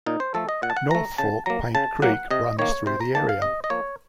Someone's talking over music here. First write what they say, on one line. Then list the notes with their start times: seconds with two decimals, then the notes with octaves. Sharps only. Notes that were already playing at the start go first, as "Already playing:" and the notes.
North Fork Paint Creek runs through the area.
0.06 A#2 D#4
0.20 C5
0.34 F3 A3 A4
0.49 D#5
0.62 A#2 F#5
0.70 A5
0.77 F#5
0.90 F3 A3 A#5
1.18 C#3 A5
1.46 F#3 A#3 A#5
1.75 C#3 A5
2.02 F#3 A#3 F#5
2.31 C3 D#5
2.59 D#3 A#3 C#5
2.86 C3 C5
3.01 A#5
3.15 D#3 A#3 A5
3.29 F5
3.42 C3 D#5
3.64 D#5
3.70 F3 A#3 C#5